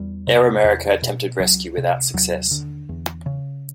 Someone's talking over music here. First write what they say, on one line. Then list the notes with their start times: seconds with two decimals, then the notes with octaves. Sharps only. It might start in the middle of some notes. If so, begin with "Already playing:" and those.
Air America attempted rescue without success.
Already playing: E2 G3
0.27 C3
0.64 E2
1.02 B2
1.39 C#2 F#3
1.78 C3
2.14 D#2 F#3
2.51 D3
2.89 E2
3.26 C#3